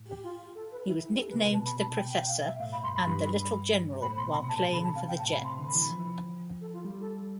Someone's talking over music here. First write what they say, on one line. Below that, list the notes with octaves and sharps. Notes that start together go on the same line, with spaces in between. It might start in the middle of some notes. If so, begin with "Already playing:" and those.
He was nicknamed "The Professor" and "The Little General" while playing for the Jets.
Already playing: A2
G4
F4
A4
B4
E4
A4
B4
C3
B4
B2 A5
B5
A5
G5
G5
F5
E5
A2 F5
B5
G2 C6
B5
G2
A2 B5
B2 C6
C3 B5
A5
A5
D3 B5
A5
C3 F5
G5
A2 A5
B5
C3 C6
D3
B5
E3
F3
A4
F4
G3
A4